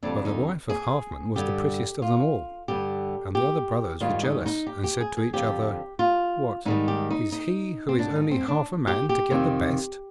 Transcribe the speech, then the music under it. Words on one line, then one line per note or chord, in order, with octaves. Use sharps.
But the wife of Halfman was the prettiest of them all, and the other brothers were jealous and said to each other: 'What, is he who is only half a man to get the best?
F2 D3 G3 D4
D#4
G#4
G2 D3 G3 G4
F4
G2 D3 G3 G4
G4
G#2 D#3 G3 F4
D#4
D#4
G4
G4
G#4
G#4
F2 D3 F3 G4
F4
G#2 D#3 G3 D#4
G4
D#4
D#4
C4
G#2 G3 D4
D#4
C4
D4
G4
G4
F2 C3 D#3